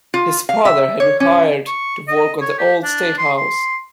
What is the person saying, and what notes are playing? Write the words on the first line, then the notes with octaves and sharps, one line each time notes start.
His father had been hired to work on the Old State House.
F4
F5
E5
C#5
C#4
C#6
D#5
C#5
G4
D4
C6
C6